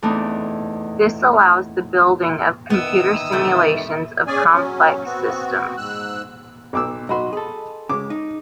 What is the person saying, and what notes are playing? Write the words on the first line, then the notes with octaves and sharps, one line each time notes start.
This allows the building of computer simulations of complex systems.
E2 A2 A3 C4 D4 D#4
D#3 E3 B3 D#6 E6
C3 G3 A3 E5
C#4 G#4 D5 G#5
F#3 C#4
B3 C4 F#4
G#2 E6 F#6
B1 D6 E6
B1 F#4 D#5 B5 C6
G#4 A4
C#3 G#3 D6
D#4